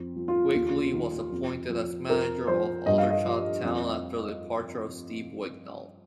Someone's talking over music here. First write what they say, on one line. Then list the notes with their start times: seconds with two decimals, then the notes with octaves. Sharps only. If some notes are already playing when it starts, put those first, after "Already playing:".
Wigley was appointed as manager of Aldershot Town after the departure of Steve Wignall.
Already playing: F2
0.16 F3
0.28 F4
0.55 D#2
0.93 D#3
1.31 F2
1.70 F3
2.09 F2 A#4
2.47 F3 C5
2.86 G2 D#5
2.98 F5
3.10 D#5
3.25 F3
3.63 F2